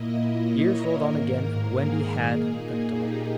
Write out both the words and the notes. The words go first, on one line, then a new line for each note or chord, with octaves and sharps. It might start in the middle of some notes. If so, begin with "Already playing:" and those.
Years rolled on again, and Wendy had a daughter.
Already playing: A#2 A#3 E4 D#5
C#5
A#4
G#2 D#3 A#3 A#4
G#4
A#2 A#3 D#4
G4